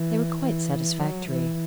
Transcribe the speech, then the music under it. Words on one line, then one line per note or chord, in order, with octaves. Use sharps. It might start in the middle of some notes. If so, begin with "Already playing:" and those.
They were quite satisfactory.
Already playing: E3
E3
F#3
E3